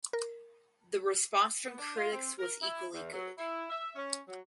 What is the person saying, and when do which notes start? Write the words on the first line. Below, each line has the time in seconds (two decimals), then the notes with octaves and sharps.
The response from critics was equally good.
0.13 A#4
1.65 B3
1.78 D4
1.96 F4
2.12 C4
2.39 A#4
2.61 E4
2.93 E2
3.12 F#3
3.37 E4
3.69 E5
3.95 C#4
4.27 F#3